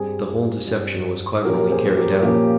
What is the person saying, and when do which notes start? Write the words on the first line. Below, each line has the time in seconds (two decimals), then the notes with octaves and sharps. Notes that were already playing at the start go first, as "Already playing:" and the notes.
The whole deception was cleverly carried out.
Already playing: G2 G3 C4 G#4
0.67 G2 G3 C4
1.45 A#2 F3 A#3 C#4 G4 A#4
1.70 G#4 C5
1.97 G4 A#4
2.22 A#2 F3 A#3 C#4 G4